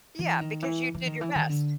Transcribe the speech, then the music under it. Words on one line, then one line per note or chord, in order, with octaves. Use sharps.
Yeah, because you did your best.
E3
D#3
E3
E3
D#3
E3
D#3
D3